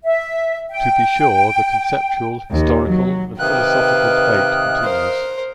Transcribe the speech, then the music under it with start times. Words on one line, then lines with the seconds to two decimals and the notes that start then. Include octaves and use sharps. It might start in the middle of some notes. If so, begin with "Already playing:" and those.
To be sure, the conceptual, historical, and philosophical debate continues.
0.04 E5
0.70 G5
2.53 D#2
2.89 F#3
3.39 C3 D#3 B4 D#5 F5 G5 D#6 F#6
4.84 A#4 C5